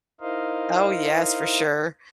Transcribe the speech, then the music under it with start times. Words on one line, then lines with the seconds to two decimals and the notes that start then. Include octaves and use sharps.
Oh, yes, for sure.
0.21 D#4 E4 A#4 C5 D#5 F5